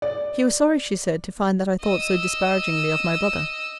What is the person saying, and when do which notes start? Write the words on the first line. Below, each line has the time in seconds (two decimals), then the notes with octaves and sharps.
She was sorry, she said, to find that I thought so disparagingly of my brother.
0.02 D5
1.81 D#5 E6